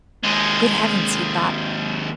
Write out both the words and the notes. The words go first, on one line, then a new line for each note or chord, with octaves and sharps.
"Good heavens!" he thought.
D#2 G#3